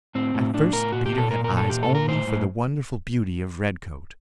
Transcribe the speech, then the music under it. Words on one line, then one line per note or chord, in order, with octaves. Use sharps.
At first Peter had eyes only for the wonderful beauty of Redcoat.
A2 C4
A2
A2 D4
A2 A#4
A#2 F#4
G4
A#2
A4
A#2 A#4
A#4
A#2
A4
A#2 G4
A4
A#2
A#4
A2 C5
A2